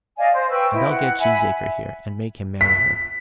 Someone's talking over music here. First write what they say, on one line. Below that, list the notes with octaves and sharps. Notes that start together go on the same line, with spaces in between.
And I'll get Cheesacre here, and make him marry her.
D5 D#5 F5 G#5
C5
B4 G5 C#6 E6
E4 D#5 G5
F#5 F#6
E5 G#5 B5
B6